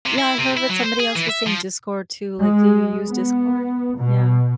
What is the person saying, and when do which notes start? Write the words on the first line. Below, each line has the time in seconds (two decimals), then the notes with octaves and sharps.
Yeah, I heard what somebody else was saying Discord too. Like, do you use Discord? Yeah.
0.06 C3
0.18 E4
0.38 C3
0.57 E4
0.69 F#3
0.84 C5
1.00 G#4
1.16 E3
1.30 E5
1.47 F3
2.41 G#3
3.10 B3
3.98 B2